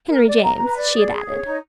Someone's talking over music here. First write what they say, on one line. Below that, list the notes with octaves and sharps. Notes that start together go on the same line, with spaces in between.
Henry James, she had added.
A#4
D5
A#5
B4
D5
G#4
G#4
C#5
D#4